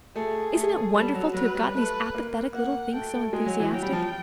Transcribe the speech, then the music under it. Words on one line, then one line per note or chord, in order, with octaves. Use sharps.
Isn't it wonderful to have got these apathetic little things so enthusiastic?
A3 G#4
A3
G3 A4
F#3
F#3 B4
G3
A3 B4
A#3
A#3 F#5
A3 G5
A3
G#3 G#5
F#3
E3
F#3 G5
G3
F3